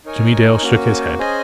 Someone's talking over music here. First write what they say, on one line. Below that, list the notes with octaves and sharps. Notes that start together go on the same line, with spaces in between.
Jimmie Dale shook his head.
D#4 A#4 C#5 G#5
A#3 C#4 F#4
C#4 G#4 C5 D#5 G#5